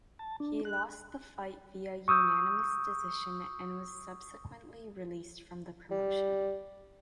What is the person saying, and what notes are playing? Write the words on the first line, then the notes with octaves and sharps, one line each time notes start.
He lost the fight via unanimous decision and was subsequently released from the promotion.
A5
D4
F#6
C#6 D#6 E6 G6
G3